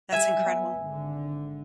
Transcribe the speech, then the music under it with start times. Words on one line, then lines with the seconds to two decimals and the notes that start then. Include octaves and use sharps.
That's incredible.
0.12 G3 E5 G#5
0.42 F#3 B3
0.80 G#1 D3